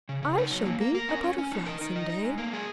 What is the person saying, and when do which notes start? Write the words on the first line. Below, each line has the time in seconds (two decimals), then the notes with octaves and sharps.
"I shall be a Butterfly some day!"
0.09 C#3
0.23 C#3
0.38 D#4
0.51 F#3
0.65 A#3
0.81 A#4
0.95 A#4
1.09 C#4
1.23 C#4
1.38 C#4
1.52 D#4
1.66 A#4
1.81 D#4
1.96 D#5
2.10 D#4
2.24 G#3
2.38 A#3
2.53 G#4